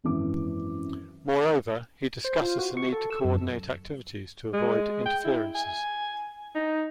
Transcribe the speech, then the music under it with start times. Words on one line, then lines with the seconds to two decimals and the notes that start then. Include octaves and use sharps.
Moreover, he discusses the need to coordinate activities to avoid "interferences".
0.04 G#1 F#2 E3 D6
2.24 C5
2.41 F4
2.59 F#4
2.77 C#6
2.92 A4
3.10 E6
3.24 F#2
4.53 G#3
5.06 G5
5.25 E4
5.55 G#5
6.55 D#4